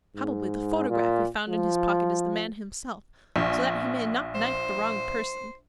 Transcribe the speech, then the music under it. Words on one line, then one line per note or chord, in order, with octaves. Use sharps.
Probably the photograph we found in his pocket is the man himself, so that he may not knife the wrong person.
G#2
A#2
F3
A#1
C5